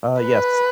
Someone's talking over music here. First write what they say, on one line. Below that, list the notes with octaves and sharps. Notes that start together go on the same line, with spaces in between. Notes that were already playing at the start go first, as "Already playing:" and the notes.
Uh, yes.
B4